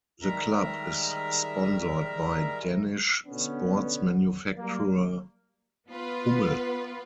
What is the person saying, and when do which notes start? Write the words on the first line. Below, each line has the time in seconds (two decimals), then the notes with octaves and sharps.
The club is sponsored by Danish sports manufacturer Hummel.
0.22 D#3 G3 G#3 A#4 E5 A#5
3.27 B2 D3 B3 C#4
4.58 F#3 G3 A#3
5.89 B3 F4 B4